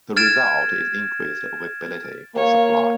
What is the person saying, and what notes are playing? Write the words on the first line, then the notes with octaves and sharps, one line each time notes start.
The result is increased availability of supply.
F6 G#6 A6 D7 E7
A#3 C#5 F5